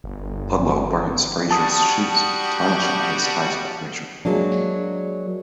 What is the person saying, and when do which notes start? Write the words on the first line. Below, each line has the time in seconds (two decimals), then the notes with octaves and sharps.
Ludlow burns Frasier's shoes, tarnishing his ties with Frasier.
0.04 G1
1.51 G3 F#4 A5 D#6
4.25 F#3 G#3 A#3 D4